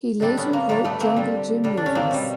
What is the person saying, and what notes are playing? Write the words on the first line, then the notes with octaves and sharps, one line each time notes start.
He later wrote Jungle Jim movies.
D3 G3 C4 D4
B3 C#4
A#3
D3 G3 A#3
A3 B3
A#3 C4
D3 G3
D3 G3
D4
C#4
A#3 C4
B2 G3